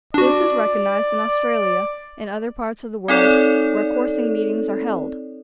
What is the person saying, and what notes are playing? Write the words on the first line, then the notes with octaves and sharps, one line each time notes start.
This is recognised in Australia and other parts of the world where coursing meetings are held.
D4 F#4 D5
C4 D#4 A4 C#5 D5